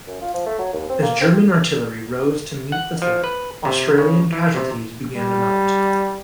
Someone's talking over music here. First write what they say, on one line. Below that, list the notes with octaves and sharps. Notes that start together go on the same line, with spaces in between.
As German artillery rose to meet the threat, Australian casualties began to mount.
F#2
F4
F3
A3
F#3
D#2
C4
A#3
C4
F#5
F3
B4
C3
C#3
E3
C3
G3